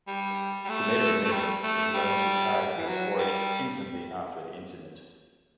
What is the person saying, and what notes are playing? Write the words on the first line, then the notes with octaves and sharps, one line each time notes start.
He later admitted that he almost retired from the sport instantly after the incident.
G3
G3
A3
A3
G3
A3
G3
E3
F#3
G3